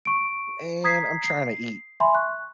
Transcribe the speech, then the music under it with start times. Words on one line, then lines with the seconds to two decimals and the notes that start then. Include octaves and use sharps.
"Man, I'm tryna eat
0.05 C#6 D7
0.84 A#5 D#6 G#6 B6 C7
1.24 C7
2.00 E5 G#5 B5 C6
2.14 C#6 F#6